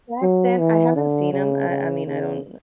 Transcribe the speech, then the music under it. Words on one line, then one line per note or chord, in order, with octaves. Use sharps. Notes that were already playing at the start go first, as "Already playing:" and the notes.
back then, I haven't seen 'em. I I mean, I don't
F#3
E3
D3
C#3
C#3
C#3